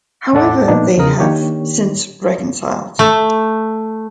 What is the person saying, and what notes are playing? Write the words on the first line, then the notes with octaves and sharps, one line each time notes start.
However, they have since reconciled.
E2 A2 D4 A4 F#5 D6
A#2 F3 B3 D4 D#4
E2 C#3 F3 A#4 D#6
D#3 A#3 D4 G4 C#5
A3